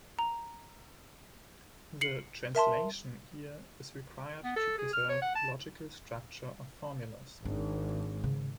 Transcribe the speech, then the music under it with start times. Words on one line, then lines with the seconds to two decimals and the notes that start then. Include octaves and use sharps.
The "translation" here is required to preserve the logical structure of formulas.
0.19 A#5
2.01 C7 C#7 F#7
2.55 A#4 E5 A5 C6
4.44 B3
4.56 A4
4.78 G#4
4.93 F6
5.09 C#5
5.22 F#5
5.35 A5
7.45 G#1 D4
8.24 C#3